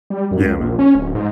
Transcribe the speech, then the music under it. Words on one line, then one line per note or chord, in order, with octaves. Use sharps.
Yeah, man.
G3
F#2
C#2
A#1
C#4
D1
G#2